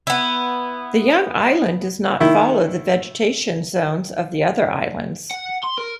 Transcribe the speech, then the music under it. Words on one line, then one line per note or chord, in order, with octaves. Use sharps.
The young island does not follow the vegetation zones of the other islands.
B3 E4
D#3 E4
F#5
C6
A#4